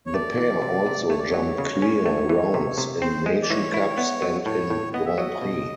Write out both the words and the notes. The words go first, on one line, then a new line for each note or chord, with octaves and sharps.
The pair also jumped clear rounds in Nation Cups and in Grands Prix.
C#5
A3 D5
E3
C3
C3
A3 C#5
D5
F#3 C#5
C#3
C#4
A3
E3
C3
C3
C4 C5
G#3
D5
E3 C#5
E4
B3
F#3
A2 C#5
A2
B3 D#5
E5
F#3 D#5
B2